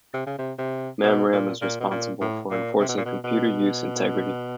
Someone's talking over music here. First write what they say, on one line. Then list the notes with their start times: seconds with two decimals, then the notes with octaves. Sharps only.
Mamram is responsible for enforcing computer use integrity.
0.14 C3
0.27 C#3
0.38 C3
0.58 C3
1.03 B2
1.33 A#2
1.62 A#2
1.80 B2
1.91 A#2
2.21 A2
2.51 A#2
2.80 C3
2.88 B2
2.97 A#2
3.06 B2
3.24 B2